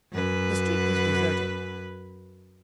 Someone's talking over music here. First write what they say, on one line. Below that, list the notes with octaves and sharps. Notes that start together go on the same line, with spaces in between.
The street was deserted.
F#2 B4